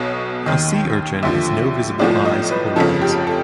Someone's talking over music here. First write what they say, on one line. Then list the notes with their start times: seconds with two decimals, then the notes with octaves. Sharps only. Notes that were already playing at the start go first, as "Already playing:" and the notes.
A sea urchin has no visible eyes or legs.
Already playing: B1 B2 C#5
0.46 D#2 D#3
1.23 D#2 D3 F3 E5
1.99 B1 A2 F3 D5
2.25 D#5
2.51 B4
2.76 G1 F2 C#3 F3 A4
3.02 G4
3.27 A4